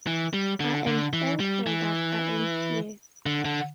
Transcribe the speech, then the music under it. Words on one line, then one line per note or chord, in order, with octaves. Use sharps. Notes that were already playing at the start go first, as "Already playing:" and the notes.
I am thankful that I am here.
E3
G3
D3
D3
E3
G3
E3
D3
D3